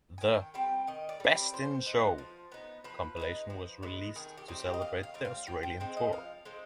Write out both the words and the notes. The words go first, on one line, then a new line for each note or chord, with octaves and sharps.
The "Best in Show" compilation was released to celebrate the Australian tour.
G#5
D#3 G5
G3 C4 G5
D#3 D#5
D5
G3 C4
D5
F3 C5
B3 D#4
F3
B3 D#4
F3 B4
G#3 B3 D#4
F3
G#3 B3 D#4
D#3 G#4
G4
G3 C4 D#4
G4
D#5
D#3 F5
F5
G3 C4 D#4
F5
F3 G5
G5
G#3 C4 D#4 C5
D#5
F3 F5
G#3 C4 D#4